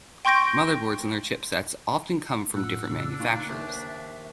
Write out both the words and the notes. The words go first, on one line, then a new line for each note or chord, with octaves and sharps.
Motherboards and their chipsets often come from different manufacturers.
G5 C6 C#6 G6 A#6 D7
A2 A3 F4 F#5 E6
C#3 D4
A#3 D#4 F4 G5 C#6 F#6
D#2 C5 E5